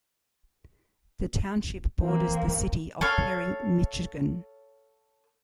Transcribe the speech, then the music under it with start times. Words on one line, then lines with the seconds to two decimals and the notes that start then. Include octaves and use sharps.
The township borders the city of Perry, Michigan.
2.01 E3 A#3 C4
3.01 A4 C#5 F5